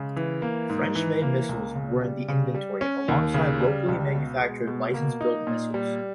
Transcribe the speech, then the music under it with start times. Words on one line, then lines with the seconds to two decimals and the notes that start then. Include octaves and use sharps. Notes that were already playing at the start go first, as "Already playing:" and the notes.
French-made missiles were in the inventory, alongside locally manufactured licence-built missiles.
Already playing: C#3 G#3
0.16 E3
0.42 A#3
0.69 G#2
0.95 E3
1.22 A#3
1.49 C#2
1.75 C#3
2.02 G3
2.28 C#3
2.54 G3
2.81 C#4
3.08 D#2
3.34 C#3
3.61 G3
3.88 C#2
4.14 B2
4.40 G#3
4.67 B2
4.94 A#3
5.21 D#4
5.47 A#2
5.74 G3